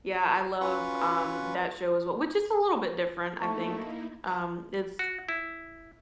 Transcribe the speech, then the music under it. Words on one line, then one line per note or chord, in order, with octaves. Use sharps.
Yeah, I love, um, that show as we which is a little bit different, I think. Um, it's
C#4 F4 F#4 B4 C#6
A3 A#3 D#4 E4 A5 C#6
F#4
E4